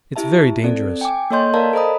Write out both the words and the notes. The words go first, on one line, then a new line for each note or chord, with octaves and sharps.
It's very dangerous.
E4 G4 E5 A5
C4 A4 D5
G5 G#5 D6
A#3 A4 C#5 D#5 C6 G6
A#4 D5 F5 A5 A#5
A4 C5 D#5 A#5 B5 D#6